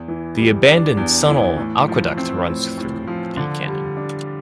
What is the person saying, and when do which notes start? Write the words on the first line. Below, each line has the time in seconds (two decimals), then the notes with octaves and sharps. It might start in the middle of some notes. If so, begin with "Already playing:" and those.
The abandoned Sunol Aqueduct runs through the canyon.
Already playing: E2
0.08 E3
0.37 G3
0.67 D4
0.97 E2
1.28 E3
1.57 A2
1.88 F3
2.17 C4
2.47 A2
2.77 A2
3.07 F3
3.37 D3
3.67 G3
3.97 D4